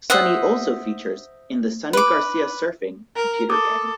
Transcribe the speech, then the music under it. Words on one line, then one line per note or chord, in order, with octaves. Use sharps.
Sunny also features in the 'Sunny Garcia Surfing' computer game.
C5 D#5 E5 F#5
B4 D6
A#4
A4 D6 D#6